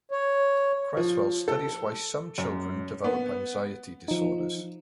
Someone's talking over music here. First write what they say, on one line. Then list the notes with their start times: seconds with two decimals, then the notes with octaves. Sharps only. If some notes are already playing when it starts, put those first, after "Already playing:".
Creswell studies why some children develop anxiety disorders.
0.11 C#5
0.97 F3
1.48 A4
2.38 F#2
3.04 B3
4.08 F3 D#4